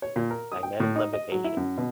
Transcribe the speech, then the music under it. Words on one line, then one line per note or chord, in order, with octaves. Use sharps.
Magnetic levitation.
C#5
A#2
A#4
D#6
G5
A2
D#4
D#5
F#3
E4
F#2
B2